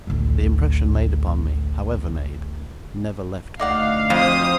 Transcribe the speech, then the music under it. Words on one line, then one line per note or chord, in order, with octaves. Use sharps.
The impression made upon me, however made, never left me.
A1 D2
D2 D#4 D5 F5 F#5
F2 C5 D#6